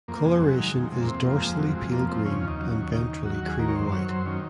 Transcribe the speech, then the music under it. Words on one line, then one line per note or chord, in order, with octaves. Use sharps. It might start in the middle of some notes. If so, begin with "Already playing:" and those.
Coloration is dorsally pale green and ventrally creamy white.
F2 A#3
C3 G#3
F#3
D#3 G#3
F2
C3 G#3
A#3
F2 C4
F3 A#3
F2 G#3
C3 F#3
F2 G#3
F3 A#3
F2 C4
C#3 C#4
D#2 F4
D#4
F#3
C#4
D#2
C#3 D#4
D#2
F#3 F#4
D#2
G#4
D#3 A#4
C#5
F#2 C5
F#3 C#5
F#2 C5
D#3 C#4